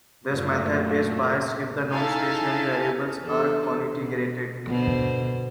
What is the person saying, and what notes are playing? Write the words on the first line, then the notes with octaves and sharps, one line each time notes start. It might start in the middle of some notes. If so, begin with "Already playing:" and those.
This method is biased if the non-stationary variables are cointegrated.
F#2 A#2 A3
D#4 E4 A4 F5 G#5 A5
E2 D4 A4
B2
B2 D3 C5